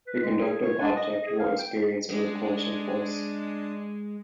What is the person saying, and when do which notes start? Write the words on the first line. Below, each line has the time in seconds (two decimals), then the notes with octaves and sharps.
A conductive object will experience a repulsion force.
0.07 B4
0.23 G#3
0.41 G#4
0.62 C#5
0.80 D4
0.96 D#5
1.10 D#5
1.27 G#4
1.40 F5
1.59 G5
2.10 G#3 D4